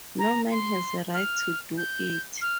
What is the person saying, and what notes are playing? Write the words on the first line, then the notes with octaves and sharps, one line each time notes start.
No man has a right to do it.
A#5
C6
F6
G6
F6